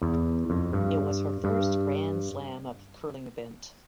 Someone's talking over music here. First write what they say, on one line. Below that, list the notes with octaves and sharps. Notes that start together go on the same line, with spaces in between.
It was her first Grand Slam of Curling event.
E2
F2
G2
G2